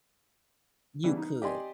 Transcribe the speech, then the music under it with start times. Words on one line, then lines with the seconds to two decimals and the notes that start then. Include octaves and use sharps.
You could.
1.03 C#3 E3 G3 B3 D4
1.17 D#4
1.42 G4 D5 D#5 G#5 C6